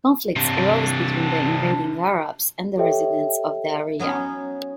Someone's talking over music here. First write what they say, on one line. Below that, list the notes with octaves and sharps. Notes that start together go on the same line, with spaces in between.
Conflicts arose between the invading Arabs and the residents of the area.
C3 D4
G4 A4 C#5 D#5 E5 G5
F#3 B3 C#4 D#4